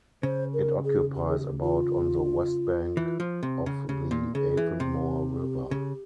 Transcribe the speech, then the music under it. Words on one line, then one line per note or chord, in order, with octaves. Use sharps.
It occupies about on the west bank of the Avonmore River.
C#3 C5
A#4
G#4
G4
G#4
G4
F4
E3
F3
C3
C#3
C#3 G4
A#2
C#3 G#4
E3
C3 G4
C#3